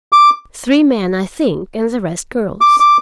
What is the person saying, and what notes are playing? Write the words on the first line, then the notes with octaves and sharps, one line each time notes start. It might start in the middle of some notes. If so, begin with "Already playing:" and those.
Three men, I think, and the rest girls.
D6
D6
D6